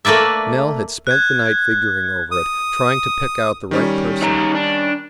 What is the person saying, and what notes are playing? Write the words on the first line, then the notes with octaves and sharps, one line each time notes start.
Nell had spent the night figuring over it, trying to pick out the right person.
A3 A#3 B4 D5 E5
F#6 G#6
D#6
D#3 G3 C#4
D#4 C#5 A#5
D4